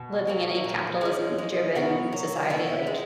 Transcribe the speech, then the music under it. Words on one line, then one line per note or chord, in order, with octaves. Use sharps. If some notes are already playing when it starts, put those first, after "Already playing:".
living in a capitalism-driven society, like
Already playing: B2
F#3 A#3 E4
A#2
G#3 C#4
G#3
B3 F#4 A#4
F#3
B3 E4
G#3